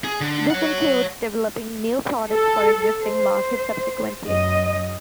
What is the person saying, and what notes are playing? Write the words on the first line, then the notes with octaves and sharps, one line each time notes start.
This includes developing new products for existing markets, subsequently.
G#4
D3
C#5 F#5
A4
C5
F#2 D#5